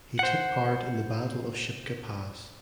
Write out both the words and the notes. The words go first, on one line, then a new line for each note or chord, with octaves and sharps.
He took part in the Battle of Shipka Pass.
C5 F#5